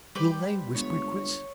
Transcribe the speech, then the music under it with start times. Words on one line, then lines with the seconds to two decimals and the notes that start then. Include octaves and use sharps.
"Will they?" whispered Chris.
0.15 G3 G4 B4 C5 D6
0.75 G1 G#3 B3 C#5